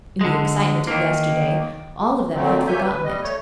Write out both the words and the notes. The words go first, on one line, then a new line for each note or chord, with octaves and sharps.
In the excitement of yesterday all of them had forgotten it.
D3 G#3
D#3 A#3
F2 A#2 D3 F#3 A3 C4
C3 A#3 C#5 E5 G#5 G6
B4
G3 D#5
A3 C#5